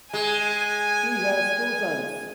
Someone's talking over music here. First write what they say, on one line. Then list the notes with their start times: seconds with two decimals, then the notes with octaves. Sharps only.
He has two sons.
0.13 G#3 G#5